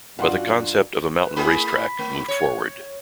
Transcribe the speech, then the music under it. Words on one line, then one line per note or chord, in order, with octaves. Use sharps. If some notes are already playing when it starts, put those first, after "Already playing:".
But the concept of a "mountain race track" moved forward.
F#2 D4 F4 F#4 F5 F#5 C6
B4
A3 E4 G#4 B5
A3
C#5